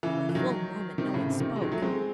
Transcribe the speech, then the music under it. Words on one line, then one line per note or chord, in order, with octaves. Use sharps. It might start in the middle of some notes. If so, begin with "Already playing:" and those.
For a full moment no one spoke.
C#3 E3
E3
D#3 F#3
C3 D#3
A2 C#3
C3
C3 D#3
G#3
D#3 F#3
F#3 A3
G#3 C4